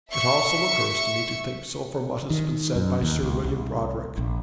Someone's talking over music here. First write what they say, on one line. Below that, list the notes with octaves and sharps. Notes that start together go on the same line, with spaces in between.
It also occurs to me to think so from what has been said by Sir William Brodrick.
E5 C#6
D#3
F#2
D#2
C#2
C2
A#1